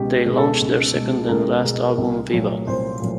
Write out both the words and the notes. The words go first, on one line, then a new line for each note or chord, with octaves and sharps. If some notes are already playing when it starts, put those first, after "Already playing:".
They launched their second and last album Viva!
Already playing: C#2 B2 G#3 G4
B2 G#3
A4
C#2
B2
G#3
A4
C#2 A#4
B2 G#3
C2
A#2 F#3 A3
C2 C5
A#2 F#3 A3